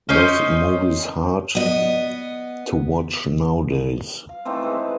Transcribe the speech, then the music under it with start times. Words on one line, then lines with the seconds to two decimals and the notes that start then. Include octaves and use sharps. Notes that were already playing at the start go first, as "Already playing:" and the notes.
This movie's hard to watch nowadays.
0.09 C#4 C5 D#5 G6
1.55 B3 D#5
4.29 F5
4.45 D#3 E3 A3 C4
4.63 G#3 B4